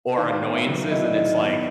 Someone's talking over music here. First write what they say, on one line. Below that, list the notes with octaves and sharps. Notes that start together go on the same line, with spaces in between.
or annoyances, and it's like,
D#3 F5
B3
E5
F#3
E4 D#5
D5
D#3 D#5
B3